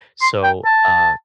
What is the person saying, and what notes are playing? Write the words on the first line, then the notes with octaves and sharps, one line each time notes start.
So, uh
C6
G5
A5